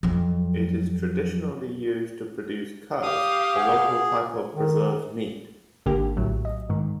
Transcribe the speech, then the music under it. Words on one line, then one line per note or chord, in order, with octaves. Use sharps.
It is traditionally used to produce Cuz, a local type of preserved meat.
F2 F#3
G4 F5 D#6
G#4 F#5
D#3
G#1 D3 A#3 G4
A#1 A2 F#3
D#5
G#2 D#3